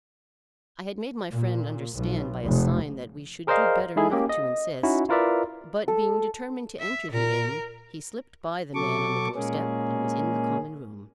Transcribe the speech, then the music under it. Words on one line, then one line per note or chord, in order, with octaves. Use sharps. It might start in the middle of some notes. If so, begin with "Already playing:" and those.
I had made my friend understand by a sign that we should do better not to insist; but, being determined to enter the inn, he slipped by the man on the doorstep and was in the common room.
A#2
B1
F1
G#4 A#4 C5 D5 D#5 F5
G#3 D#4 E4 G#4 A4
A#3 C#4 G4
D#5
C#4 D#4 E4 F#4
E4 F4 A#4 B4 D5 E5
A4
E5
A#2 A#4
B2 F#3 A4 C#6 D6
A#2 G#3 A#3 C#4 G#4